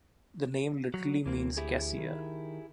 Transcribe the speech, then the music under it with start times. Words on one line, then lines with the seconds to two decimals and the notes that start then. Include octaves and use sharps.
The name literally means "cassia".
0.94 F#3
1.26 D2 E3 A#3 C4
1.57 E4 G4 G#4
1.97 D#3